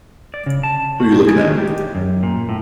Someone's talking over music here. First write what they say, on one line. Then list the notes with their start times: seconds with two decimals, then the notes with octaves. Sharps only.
Who You Looking At?
0.34 D5
0.46 C#3
0.63 A5
1.00 F#4
1.27 G#4
1.45 D#3
1.58 G4
1.95 F#2
2.23 A#2
2.49 A2